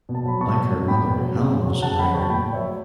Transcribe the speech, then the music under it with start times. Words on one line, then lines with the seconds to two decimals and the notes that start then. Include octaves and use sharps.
Like her mother, Helen was a writer.
0.09 B2
0.15 A5
0.25 F#3 B5
0.41 B2 A5 C#6
0.57 F#3
0.72 F#3
0.88 B2 G5 B5
1.04 B2
1.20 F#3
1.36 C#3
1.51 F#3
1.67 F#3
1.82 C#3 F#5 A5
1.98 C#3 G5 B5
2.14 F#3 A5 C#6
2.29 A2 G5 B5
2.46 F#3
2.53 C#5 E5
2.61 F#3